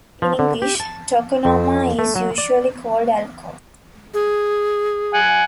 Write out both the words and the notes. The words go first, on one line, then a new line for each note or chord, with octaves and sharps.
In English, "tokonoma" is usually called alcove.
F3
D3
G4
A5
F2
A3
F#3
D5
G#4
F#5 G#5